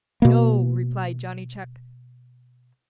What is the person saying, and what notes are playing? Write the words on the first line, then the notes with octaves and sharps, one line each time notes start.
"No," replied Johnny Chuck.
B2 A#3